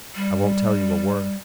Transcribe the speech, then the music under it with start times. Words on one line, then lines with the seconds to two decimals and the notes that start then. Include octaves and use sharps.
"I won't tell you a word."
0.15 G3